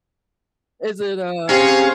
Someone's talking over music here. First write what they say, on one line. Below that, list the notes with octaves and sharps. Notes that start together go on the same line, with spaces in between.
Is it a
C3 C#4 G#4 A#4 C5 C#5 F5